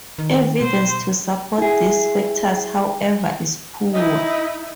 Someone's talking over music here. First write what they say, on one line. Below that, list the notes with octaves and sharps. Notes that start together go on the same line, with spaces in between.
Evidence to support these factors however is poor.
D#3
B2 C5
E4 G#4
D#4 E4 D#5